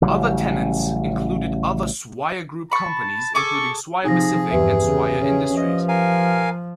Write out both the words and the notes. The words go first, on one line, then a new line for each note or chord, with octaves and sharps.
Other tenants included other Swire group companies, including Swire Pacific and Swire Industries.
A1 C#3 F#3 G3
A5 B5 C#6
G#4 A4 C#6 D6
C3 F3 D#4 G#4 A#6
E2 G2 G4 B4 E5
C#3
C#3 C#4
F3 D#5
A#4 F5 G#5